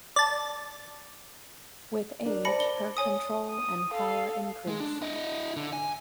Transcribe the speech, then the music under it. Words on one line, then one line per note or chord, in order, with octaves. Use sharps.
With age her control and power increased.
D5 A5
D4 A#4
C5 D5 A5 B5 A#6 C#7
G7
C#5 G#5 D#6
D#6
A4 F5
G#3 G#4
D4
E4 D#5
D3
G#5